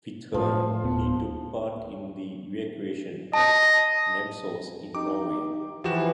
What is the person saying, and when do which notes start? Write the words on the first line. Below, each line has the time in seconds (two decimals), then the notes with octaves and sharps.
With her he took part in the evacuation of Namsos in Norway.
0.34 A2 F3
0.84 D1 B3
3.33 D#5 A5
4.95 D#4 G4 D6
5.84 E3 F3 F#4 G4 E7